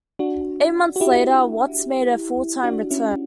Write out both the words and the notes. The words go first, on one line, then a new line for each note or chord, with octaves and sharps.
Eight months later Watts made a full-time return.
D4 F#4
F#4
E4 G4
D4 F#4
C#4 E4